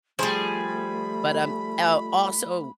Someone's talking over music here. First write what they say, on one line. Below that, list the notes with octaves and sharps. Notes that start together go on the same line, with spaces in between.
But um, el also,
F3 G3 A3 G#4 C5 B5